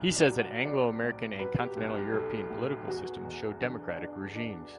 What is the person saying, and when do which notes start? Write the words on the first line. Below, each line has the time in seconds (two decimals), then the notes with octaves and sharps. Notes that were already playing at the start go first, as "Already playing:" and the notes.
He says that Anglo-American and Continental European Political systems show democratic regimes.
Already playing: B1
0.16 D5
0.28 F#3
0.42 F#5
0.65 C4 D5
1.03 A2
1.39 F#3 B4
1.58 G4
1.76 B1 G4
1.95 G4
2.13 B1 A4
2.50 A2
2.88 E2 F#4
3.25 E2
3.61 D3
3.99 D4
4.35 D4